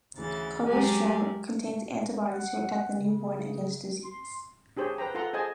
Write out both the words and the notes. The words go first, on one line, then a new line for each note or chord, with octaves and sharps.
Colostrum contains antibodies to protect the newborn against disease.
D2 C#3 E3 A6
F#3 G#3 G4 A#4 D5 G#5
F#5
C#3
C6
D4 G4 G#4 C5 C#5
B4 C5 G5 A#5
F4 A4 F#5 A#5 C6
G#4 C5 D#5 G#5 A5